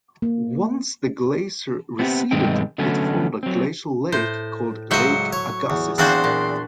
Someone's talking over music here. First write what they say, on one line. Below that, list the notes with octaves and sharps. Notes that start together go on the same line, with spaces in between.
Once the glacier receded, it formed a glacial lake called Lake Agassiz.
A#3
B3 C4 G4
B1 G2 D#3 G#3 C4 G5
D3 F#3 A3 B3 C#4
F#3 C4
A2 C5
C#2 F#3 C5 D#5 E5 C#7
C#5 C#6
E2
E2 C4 D4 F#4 C5 F5 C6
A#2